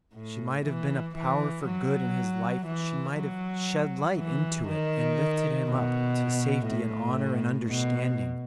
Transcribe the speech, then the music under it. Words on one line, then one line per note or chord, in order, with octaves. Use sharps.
She might have been a power for good in his life, she might have shed light into it and lifted him up to safety and honour and understanding.
A2
E3
E3
F#3
E3
F#3
E3
D#3
B2
A2
B2